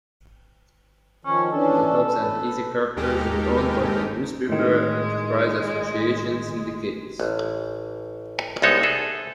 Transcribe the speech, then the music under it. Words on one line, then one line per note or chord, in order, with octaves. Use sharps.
The Tubbs and Easy characters were owned by the Newspaper Enterprise Association syndicate.
D#3 F3 C#4
E3 C#4 D4 A4
B4
D#2 G#3 D#4 G4 A4 A#4
A2 D#3 G#3
A1
C2 G#3 B3 D#4 A4 C#5
G#4 A4